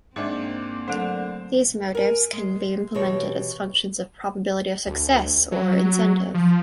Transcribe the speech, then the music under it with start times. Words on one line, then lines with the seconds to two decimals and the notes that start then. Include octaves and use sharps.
These motives can be implemented as functions of probability of success or incentive.
0.16 G#2 A#3 C4 D4 C5 E5 G5
0.88 D3 F#3 A3 A#4 C5
1.95 A#4 G#5
2.33 G#3
2.95 B2 E3 G4 C#5
4.86 D2
5.52 F#3
6.34 F3